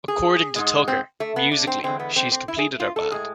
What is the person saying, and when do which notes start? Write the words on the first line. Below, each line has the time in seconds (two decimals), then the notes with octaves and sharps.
According to Tucker, Musically, she's completed our band.
0.08 G#4
0.56 G#2 G#3
0.88 C4
1.20 A3
1.36 B3
1.52 D4
1.67 C4
1.83 E2 D3 F3 G#3 C4
1.99 B3
2.16 C4
2.32 C4
2.48 E4
2.58 G#4
2.80 F4
2.96 A4
3.11 A2 G#3 G#4